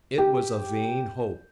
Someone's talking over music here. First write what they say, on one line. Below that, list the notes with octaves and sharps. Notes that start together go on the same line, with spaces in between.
It was a vain hope.
G4